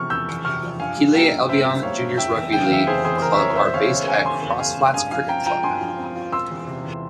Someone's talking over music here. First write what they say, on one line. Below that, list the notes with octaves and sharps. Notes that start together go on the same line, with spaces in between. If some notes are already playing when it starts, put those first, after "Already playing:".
Keighley Albion Juniors Rugby League club are based at Crossflatts Cricket Club.
Already playing: E1 E2 C3 F3 C#6 F6
E1 E6 G6
E2
C3 C#6 F6
F3
G2 F5 G#5
G3
A#3 E5 G5
G2
G2 C5 E5
G3
A#3 C#5 F5
G2
F1 E5 G5
E2
C#3 G5
F5
E3 E5 G5
F1 G#4 C5
E2 G#4 C5
C5
C#3 A#4
E5
E3 A#4 C#5
E1 C5 E5
E2 C#5 F5
C#3
E1 F5 G#5
E1 G#5 C6
E2
C#3 F5 G#5
E1
G2 F5 G#5
F3 F5 G#5
C4 G5 A#5
F4 G5 A#5
G2 G#5 C6
F3
C4
F4
E1 C6 E6
E2
C3
E3